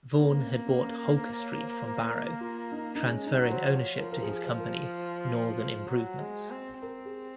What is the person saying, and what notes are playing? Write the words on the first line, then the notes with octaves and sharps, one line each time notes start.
Vaughan had bought Holker Street from Barrow, transferring ownership to his company "Northern Improvements".
A#3 C#4
C4
C#4
C4
C#4
A#4
C5
C#5
C5
C5
A#4
F4
D#4
D#4
G#3 C#4
D#4
F#3
C5
F3
C#5
F3 A#4
A#4
G#4
C5
A#4
C5
F#3
G#3
C4
C4 A#4
G#4